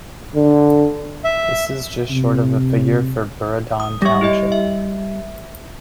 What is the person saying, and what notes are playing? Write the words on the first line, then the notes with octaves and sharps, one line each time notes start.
This is just short of the figure for Burradon township.
D3
E5
C3
D#6
G3 C#5 E5 A#6
E4 G4 D#5
E5